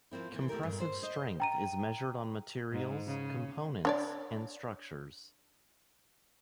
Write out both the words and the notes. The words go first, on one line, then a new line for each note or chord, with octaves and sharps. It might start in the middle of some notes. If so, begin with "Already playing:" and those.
Compressive strength is measured on materials, components, and structures.
F3 A#3 C4 E4
E3 B3
A3 E4 G4 A#4
G2 A#2
C5
C5 D#5
G5 A#5 D#7
G#2
C#3
D4 C#5 D5